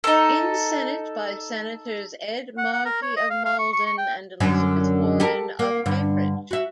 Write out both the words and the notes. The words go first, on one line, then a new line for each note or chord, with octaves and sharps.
In the Senate by Senators Ed Markey of Malden and Elizabeth Warren of Cambridge.
D#4 A4
F#5
F#5
A#4
C#5
D#5
F5
F5
C#6
C#6
C#6
G5
F#2 D3 C#4
G4 A4 A#4
A#3
G2 D3
F#4 E5